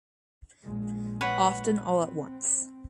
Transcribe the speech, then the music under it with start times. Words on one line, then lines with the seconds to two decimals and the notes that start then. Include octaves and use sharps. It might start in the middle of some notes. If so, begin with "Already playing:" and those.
Often all at once.
0.64 A#1 G#3
1.21 B4 C#5 F#5
1.98 C4